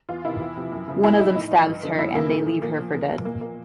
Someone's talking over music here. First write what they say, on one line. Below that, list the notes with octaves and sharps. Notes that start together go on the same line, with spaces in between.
One of them stabs her and they leave her for dead.
E2 F4
C3 D#3 E4
E2
C3 F3
F#2
C#3 F3
A#2 E4
F3 D#4
A2 D#4
F3
G2
D3 F3
F#2 E4
C#3 E3 A#3
A#2 A3
F3
A#2 A#3
F3
E2
B2
A#2 A#3
F3 A#3